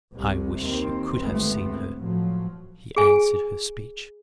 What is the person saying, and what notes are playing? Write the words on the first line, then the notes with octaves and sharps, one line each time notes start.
"I wish you could have seen her," he answered her speech.
C2 C3
D#2 D#3 C4
G1 C#2 A3 B3 C4
A2 F3 F#3
G#4 G#5